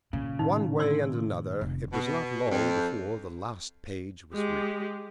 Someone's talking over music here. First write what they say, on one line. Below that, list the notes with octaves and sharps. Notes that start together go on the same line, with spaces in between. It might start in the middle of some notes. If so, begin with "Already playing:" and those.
One way and another it was not long before the last page was reached.
A#2 C#3
A2 D#3 D#4
D5 C6 E6
F1
B2
F2
G#3 G4